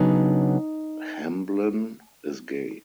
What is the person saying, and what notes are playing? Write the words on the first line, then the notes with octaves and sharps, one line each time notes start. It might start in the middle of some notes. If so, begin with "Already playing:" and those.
Hamblen is gay.
Already playing: C#3 F#3 B3 D4 D#4